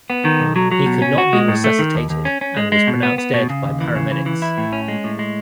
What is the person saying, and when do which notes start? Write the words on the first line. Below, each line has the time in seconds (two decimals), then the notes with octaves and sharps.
He could not be resuscitated, and was pronounced dead by paramedics.
0.10 B3
0.25 D#3
0.40 B1
0.56 F#3
0.72 F#3
0.86 B2
1.02 C#4
1.18 F#4
1.33 G#3
1.48 A2
1.64 A3
1.79 D#3
1.95 D#2
2.10 D#2
2.25 C#4
2.41 C#4
2.57 G#3
2.72 G#3
2.87 B2
3.03 B3
3.18 B3
3.34 B2
3.50 C#3
3.64 D#2
3.80 E3
3.96 C#3
4.11 E3
4.26 E3
4.42 E4
4.58 A2
4.73 C#4
4.88 G#3
5.04 A2
5.19 G#3